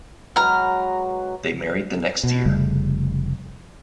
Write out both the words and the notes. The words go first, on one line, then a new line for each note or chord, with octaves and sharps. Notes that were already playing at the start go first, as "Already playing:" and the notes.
They married the next year.
F#3 G#3 B4 A#5 F6
B2
F1 C#3 G3 A3